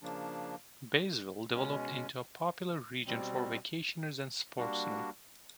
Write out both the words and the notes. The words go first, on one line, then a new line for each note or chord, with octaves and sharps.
Baysville developed into a popular region for vacationers and sportsmen.
C#3 F3 A#3 D4
B2 G#3 C#4
B2 G3 C4
G3 A#3 D4 F#4